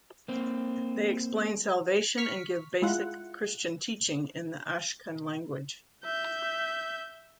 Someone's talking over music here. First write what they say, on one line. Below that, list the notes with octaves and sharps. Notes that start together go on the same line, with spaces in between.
They explain salvation and give basic Christian teaching in the Ashkun language.
A#3 C4
C#6 F6 B6
G#3 E4 F4 F#5
E5 G6